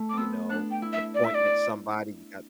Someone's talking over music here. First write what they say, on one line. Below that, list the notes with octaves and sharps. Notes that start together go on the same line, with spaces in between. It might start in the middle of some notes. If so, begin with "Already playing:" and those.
you know, "You're pointing at somebody, you got"
Already playing: A3
D6
B3 C4 E6
D4 F#6
G5
E4
E5
D5
E5
D5